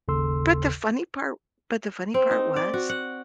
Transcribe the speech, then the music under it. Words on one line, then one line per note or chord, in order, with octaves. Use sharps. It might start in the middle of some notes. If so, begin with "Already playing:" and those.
But the funny part but the funny part was
G1 D#2 C#3 A4 C6 E6
C4
D#4
D5
F#4
F#5